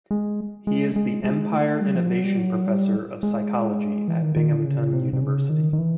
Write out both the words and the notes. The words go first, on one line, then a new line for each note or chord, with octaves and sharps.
He is the Empire Innovation Professor of Psychology at Binghamton University.
G#3
G#3
G#3
G#3
A3
G3
F3
F#3
G3
F#3
G3
G#3
E3
D#3
D#3
D3
C#3
C3
C3
C#3
D#3
D#3
E3